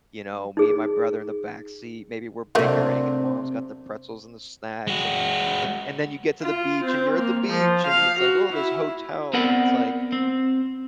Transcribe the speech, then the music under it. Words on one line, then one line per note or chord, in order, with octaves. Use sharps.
you know? Me and my brother in the back seat, maybe we're bickering, and mom's got the pretzels and the snacks and, then and then you get to the beach, and you're at the beach, and it's like, "Ooh, this hotel." It's like,
D#4 G#4
C3 F#3 A3 A#3 D4
G#3 F#4
F4
C4
A#3
F3
F5
F#4
E4
B3 C4 A#4 D5 F#5
C4